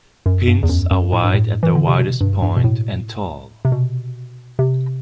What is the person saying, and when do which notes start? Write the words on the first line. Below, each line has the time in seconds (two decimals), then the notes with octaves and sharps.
Pins are wide at their widest point and tall.
0.26 F#2
0.48 G2
0.63 E2
0.69 F#2
0.91 F#2
1.13 A2
1.23 G2
1.34 A2
1.63 E3
1.75 D3
1.87 C3
1.99 B2
2.21 G2
2.42 G2
2.57 B2
2.64 A2
3.65 C3
3.72 B2
4.59 C3